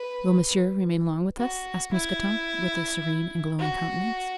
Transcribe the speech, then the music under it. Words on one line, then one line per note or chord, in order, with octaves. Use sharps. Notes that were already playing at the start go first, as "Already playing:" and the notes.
"Will monsieur remain long with us?" asked Mousqueton, with a serene and glowing countenance.
Already playing: B4
F#4
E4
F#4